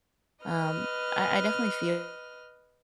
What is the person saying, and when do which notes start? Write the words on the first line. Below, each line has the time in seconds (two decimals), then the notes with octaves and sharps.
um, I I definitely feel
0.44 B4 D#5 F6